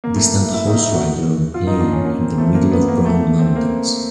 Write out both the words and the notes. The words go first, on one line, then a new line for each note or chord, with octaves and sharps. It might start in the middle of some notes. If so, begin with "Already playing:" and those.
Distant horse rider on plain in the middle of brown mountains.
A#3
A3
E4
E4
D#4
E4
F#4
F4
D#4
D4
C#4
A#3
C4
A3
A#3
B3
A#3
A3
C4
A#3